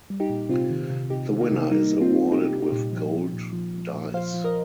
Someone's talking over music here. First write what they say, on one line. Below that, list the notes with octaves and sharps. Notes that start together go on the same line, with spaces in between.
The winner is awarded with gold dice.
G3
D#4 G4
A#2
C3 C4 F4
D#3
C3
C3 D#4 G4
D#3
A#3 D#4
C3
G3 A#3 D#4
G3
C4 F4
C3
G3 D#4 G4
G3
D#4 G4
A#2
F3
F3
A#2
F3
F3
A#2
F3 C5 F5
F3
A#4 D#5